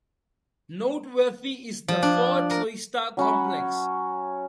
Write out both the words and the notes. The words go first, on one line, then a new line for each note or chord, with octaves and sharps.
Noteworthy is the four cloister complex.
F3
D4
A#4
F#3 C#4 F#5 B5